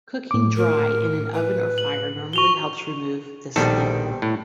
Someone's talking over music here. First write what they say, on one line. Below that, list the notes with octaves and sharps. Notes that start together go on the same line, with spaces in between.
Cooking dry in an oven or fire normally helps remove this skin.
A2 D6
A#4
B4
F#7
F#4 C#6 F7 G7
A#1 B2 D#3 G3 C4 A4
A2